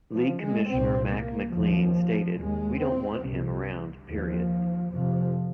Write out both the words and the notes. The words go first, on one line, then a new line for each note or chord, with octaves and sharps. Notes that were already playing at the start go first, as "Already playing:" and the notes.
League commissioner Mac MacLean stated "We don't want him around period".
F3
G#3
C2 A#2 C4
A#3
D#2 F3
D#2 G#3
C4
C2 C3
D#2 F3
F2 C3 F3